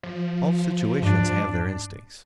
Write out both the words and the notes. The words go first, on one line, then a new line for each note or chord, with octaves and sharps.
All situations have their instincts.
F3
G#2 D4